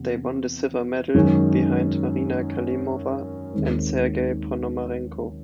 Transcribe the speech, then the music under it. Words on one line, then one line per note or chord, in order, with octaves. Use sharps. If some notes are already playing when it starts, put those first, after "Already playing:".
They won the silver medal behind Marina Klimova and Sergei Ponomarenko.
Already playing: E2 C3 B3
F#2 D#3 G#3 C#4
D#2 D#3 G#3 C4